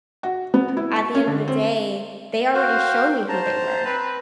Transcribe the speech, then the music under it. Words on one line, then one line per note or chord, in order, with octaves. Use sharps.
at the end of the day, they already shown me who they were.
F#4
B3
E4
C#6
C#4
D3
C4
F#4 C5 F5 G5
C5 A5 A#5
C4 B4